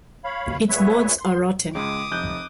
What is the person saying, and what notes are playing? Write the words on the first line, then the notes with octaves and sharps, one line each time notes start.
Its boards are rotten.
C#5 F5 B5
A#2 C#3 B3 B4 C#5 E5
C6
C#2 G#3 D6 D#6
F1 F#6 G6